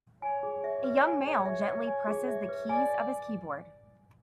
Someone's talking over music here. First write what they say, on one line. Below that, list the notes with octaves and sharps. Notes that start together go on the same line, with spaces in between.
A young male gently presses the keys of his keyboard.
C#5 G#5
G#4
E5
B4
G#5
G#4
E5
B4
G#5
G#4
E5
B4
D5 G#5